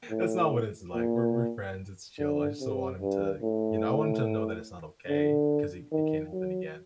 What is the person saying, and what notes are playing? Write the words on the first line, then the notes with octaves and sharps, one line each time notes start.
that's not what it's like, we're we're friends, it's chill, I just don't want him to, you know, I want him to know that it's not okay, 'cause it it can't happen again,
A2
A#2
D3
C3
G2
A2
D3
D#3
F#3